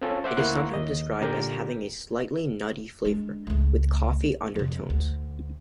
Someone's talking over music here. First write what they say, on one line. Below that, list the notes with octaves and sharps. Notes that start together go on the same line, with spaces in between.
It is sometimes described as having a slightly nutty flavour, with "coffee undertones".
C4 C#4 F4 A4
C5 E5 F#5 D6
D2 A#3 E4 F#5 C6 C#6
D#2 D#5
A#2 D3 G4 A#4 G6
G#3 D4
C#2 A3
F2 C3
D2